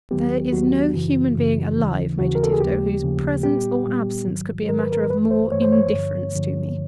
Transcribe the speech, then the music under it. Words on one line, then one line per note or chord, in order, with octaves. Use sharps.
"There is no human being alive, Major Tifto, whose presence or absence could be a matter of more indifference to me."
D#2 D#3 F#3 B3 G4
D#2 D#3 F#3 B3 F#4
F#2 C#3 E3
F#2 C#3 E3
D#2 C#3 E3
D#2 C#3 E3 F#4
A#4
A4
G#4
D#2 C#3 F3 A#3 G4
D#2 C#3 F3 A#3
A#2 G3 B3 G4
A#2 G3 B3
G#2 D#3 F#3
G#2 D#3 F#3 A#4
B4
A#4
G2 E3 A3 B4
C5
G2 E3 A3 C#5
C5
C#5
G2 D3 F3
G2 D3 F3